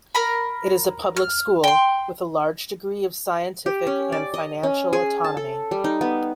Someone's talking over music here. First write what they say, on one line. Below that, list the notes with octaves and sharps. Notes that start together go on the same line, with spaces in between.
It is a public school with a large degree of scientific and financial autonomy.
A#4 A#5 B5
F6
G5 C6
G4
C#4
D5
D#5
C#4
G#4
A5
A4
G3
D#4
B3